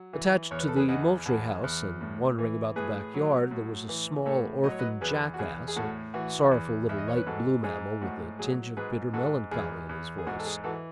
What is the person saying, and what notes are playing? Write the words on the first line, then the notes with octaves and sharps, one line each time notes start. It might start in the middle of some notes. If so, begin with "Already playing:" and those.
Attached to the Moultrie House, and wandering about the back-yard, there was a small orphan jackass, a sorrowful little light-blue mammal, with a tinge of bitter melancholy in his voice.
Already playing: F#3
E3
E2 C#5
B4
A4
G#4 B4
E2 D#5 F#5
E2 F#5 A5
E2
A2
E3
A2 G#4 B4
F#3
A2
E3
A2 A4 C#5
F#3 D#5
C#5
B4 D#5
E2 G#4 B4
F#4
E2 G#4
G#4
A2 F#4 A4
E3 F#4
E2
E2 E5
D#5
C#5
B4
G#2 F#4 A4
G#2 G#4
A2 F#4
F#3 G#4
G#2 G#4 B4
G#2 F#4 A4
E2 G#4
E2
G#4
G#2 F#4
A4
G#4
E3 F#4 A4